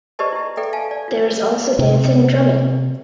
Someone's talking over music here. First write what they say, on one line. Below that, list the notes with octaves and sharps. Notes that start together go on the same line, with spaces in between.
There is also dancing and drumming.
G4 B4 C5 D5 D#5 A5
E4 G4
A4 B4 D5 E5 G5
F5 G#5 A5
D5
F4
C3